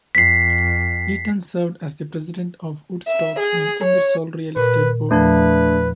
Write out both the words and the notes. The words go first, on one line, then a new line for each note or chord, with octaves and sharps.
Eaton served as the President of Woodstock and Ingersoll Real Estate Board.
F2 B6 C7
E5
G#4
C#5
A#2 A#4 B4
E2 F3 A3 D4 B4